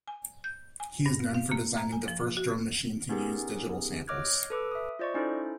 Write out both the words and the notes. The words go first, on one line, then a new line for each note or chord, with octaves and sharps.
He is known for designing the first drum machine to use digital samples.
G#5
G6
G#5
G2
F5
A#3
A#5
G#5
F3
F#4
B3 C#4 D#4 G4 G#4 A#4
C#5 D#5 D6 F6 F#6 G#6
A4 B4 D6 E6
E5 D#6
F4 C5 D5 D#5 C#6
C#4 D#4 E4 A4 C5